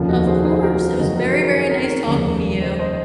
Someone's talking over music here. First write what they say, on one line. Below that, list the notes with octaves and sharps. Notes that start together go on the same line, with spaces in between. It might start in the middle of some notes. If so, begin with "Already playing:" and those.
Of course, it was very, very nice talking to you.
Already playing: F1 D#2 C#3 F3 F4
D#4 F#4
G#4 C5
G#4 C5
F#4 A#4
F4
F#1 F2 D#3 D#4 F#4
F#4 A#4
G#4 C5
G#4 C5
A#4 C#5
A#4 C#5
F1 D#2 C#3 G#3
C5 D#5
C5 D#5